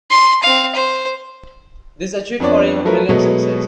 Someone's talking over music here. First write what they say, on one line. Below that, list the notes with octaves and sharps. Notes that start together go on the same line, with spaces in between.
These achieved for him a brilliant success.
C6
C4 F5
C5
F2 B3 D4 C#5 D5
F3 F#3 A3 A#4 B4
B2 F#3 G#3 A3 B3